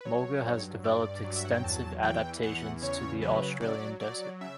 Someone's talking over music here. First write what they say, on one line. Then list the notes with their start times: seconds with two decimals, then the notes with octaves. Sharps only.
Mulga has developed extensive adaptations to the Australian desert.
0.01 B4
0.05 F#3 C#5
0.46 G2
0.84 G2 D5
1.24 F#3
1.36 E5
1.45 F#5
1.54 G5
1.64 E2 A5
2.03 E3 G5
2.43 E2 F#5
2.82 C#3 C#5
3.22 F#3 B4
3.61 F#3 D5
4.01 F#3 D5
4.41 C#3 E5